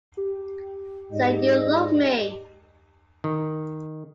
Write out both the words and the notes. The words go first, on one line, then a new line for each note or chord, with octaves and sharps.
Say you love me.
G4
G#2 D5 D#5
D#3